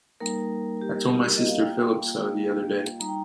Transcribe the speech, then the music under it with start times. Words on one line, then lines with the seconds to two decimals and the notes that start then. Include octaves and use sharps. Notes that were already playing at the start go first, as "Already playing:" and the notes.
I told my sister Phillips so the other day.
0.20 G3 A#3 D#4 A#4
0.81 G4
0.90 A#4
1.37 D#5
1.48 F5
1.60 A#3 F4 G5
3.00 G3 D#4 A#5
3.09 G5